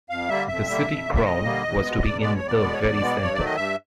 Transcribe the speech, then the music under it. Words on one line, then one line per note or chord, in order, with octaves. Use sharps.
The "City Crown" was to be in the very center.
F2 F5
D3 G3 A#3 E5
F2 E5
D3 G3 A#3
F2
D3 G3 A#3
E5
F2 D#5
D3 G3 A#3
E2
B2 G#3 B3
E2 D5
B2 G#3 B3 D5
C#5
E2
D5
B2 G#3 B3
C#5
E2 D5
B2 G#3 B3
G2 C#5
D#3 F#3 A3 D5
D#5
G2 E5